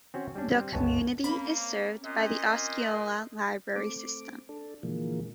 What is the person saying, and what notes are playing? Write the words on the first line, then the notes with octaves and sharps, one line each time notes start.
The community is served by the Osceola Library System.
C4 C#4 F#4
G3 C#4 D4
G3 C4
G1 C#2 B3 C#5 G#5 A5
A#3 C4 C#4 B5
A#2 D#5
A3 C4 D6
D4 A4
A#2 D3 E3 F3 G#3 A#3